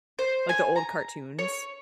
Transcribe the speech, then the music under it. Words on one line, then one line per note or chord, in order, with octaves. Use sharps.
Like, the old cartoons.
C5
G#5
A#5
C#5